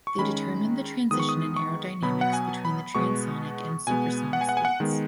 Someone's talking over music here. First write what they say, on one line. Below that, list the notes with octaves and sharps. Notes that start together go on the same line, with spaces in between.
They determined the transition in aerodynamics between transonic and supersonic speeds.
C#6
D#3 G#3 C#4 B5
D#3 G#3 B3 D#6
C#6
D#6
C#6
B2 F#3 B3 B5
F#5
G#5
B5
B2 G#3 B3 C#6
B2 G#3 B3 G#5
F#5
G#5
F#5
G#5
F#5
D#3 G#3 B3